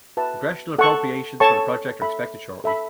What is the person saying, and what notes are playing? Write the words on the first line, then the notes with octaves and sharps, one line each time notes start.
Congressional appropriations for the project are expected shortly.
F#4 B4 E5 A5
A4 F#5 A5 C#6
A4 C#5 A5 C#6
A4 E5 B5
A4 E5 B5